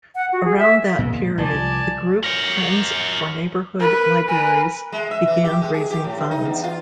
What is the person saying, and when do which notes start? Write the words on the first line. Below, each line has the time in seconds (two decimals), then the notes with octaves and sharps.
Around that period the group Friends for Neighborhood Libraries began raising funds.
0.15 F#5
0.32 F#4
0.44 G#4
0.58 E5
0.99 A#2 G#3
1.38 C2 F3 D5 G#5 A5
2.24 A#4 C#5
3.80 A#4 B4
4.27 A#4 B4 G#5
4.92 G#3
5.11 E5
5.27 E3
5.44 G4
5.61 G#3
5.74 G#4
5.90 G4
6.04 A2
6.17 G2
6.31 D#4
6.45 E2
6.64 F4